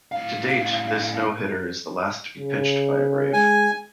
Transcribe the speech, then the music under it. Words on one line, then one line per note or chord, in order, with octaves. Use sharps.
To date, this no-hitter is the last to be pitched by a Brave.
A2 F5
C#3
G#3 G#5